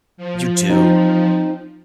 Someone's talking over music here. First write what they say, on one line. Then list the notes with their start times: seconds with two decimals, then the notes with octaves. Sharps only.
You do.
0.17 F3
0.70 C4 D#4